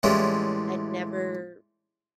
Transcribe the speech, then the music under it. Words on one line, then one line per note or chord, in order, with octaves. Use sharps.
I'd never
A2 E3 G3 G#3 C#4 F4